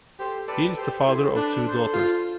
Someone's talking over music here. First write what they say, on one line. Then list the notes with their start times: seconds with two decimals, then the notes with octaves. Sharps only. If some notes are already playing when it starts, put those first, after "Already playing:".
He is the father of two daughters.
0.19 G4 A4 C5
0.48 A4 B4 D5
0.77 G4 A4 C5
1.06 E4 A4 C5
1.36 D4 B4 D5
1.65 A4 C5
1.93 F4